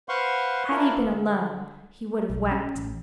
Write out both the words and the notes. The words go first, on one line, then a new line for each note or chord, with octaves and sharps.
Had he been alone, he would have wept.
B4 C5 F5 F#5 C6 C#6
D4 E4 F4 A#4
D3
B1
C#4
A1